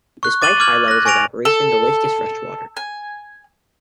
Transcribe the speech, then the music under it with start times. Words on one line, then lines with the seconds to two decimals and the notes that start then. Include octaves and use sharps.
Despite high levels of evaporation, the lake is fresh water.
0.23 C#6 F#6
0.42 D6 A6 D#7 F#7 G7
0.60 D6 F6 G#6 F#7
0.88 F#6 A#6
1.05 G#5 C#6 A#6 D7 F7
1.45 A4
2.77 G#5